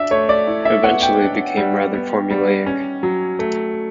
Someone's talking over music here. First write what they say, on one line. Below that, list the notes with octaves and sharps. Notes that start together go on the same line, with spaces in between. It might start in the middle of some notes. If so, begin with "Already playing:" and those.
Eventually it became rather formulaic.
Already playing: D4 E5
A3 C#5
D5
E4
E5
B3 F#5
G5
D4
G3
B3
G3
C#4
F#3
A3